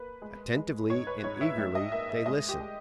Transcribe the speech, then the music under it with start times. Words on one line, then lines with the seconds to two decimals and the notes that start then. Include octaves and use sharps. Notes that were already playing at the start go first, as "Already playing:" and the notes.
Attentively and eagerly they listened.
Already playing: A#3 B4
0.22 G#3
0.56 G#3
0.90 G#2 C#5
1.07 B4
1.24 G#2 C#5
1.41 E5
1.58 G2 E5
1.75 D#5
1.92 A#3 E5
2.09 E5
2.26 G#3 D#5
2.49 G4
2.60 G#3